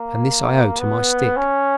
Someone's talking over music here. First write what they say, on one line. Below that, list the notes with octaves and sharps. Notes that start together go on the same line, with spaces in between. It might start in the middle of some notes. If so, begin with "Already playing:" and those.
And this I owe to my stick.
Already playing: A#3
B3
C#4